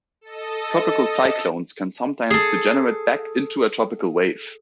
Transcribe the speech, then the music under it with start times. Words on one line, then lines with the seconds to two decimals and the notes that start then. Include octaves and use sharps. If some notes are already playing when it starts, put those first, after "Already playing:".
Tropical cyclones can sometimes degenerate back into a tropical wave.
0.21 A4 D#5
2.30 G#4 A4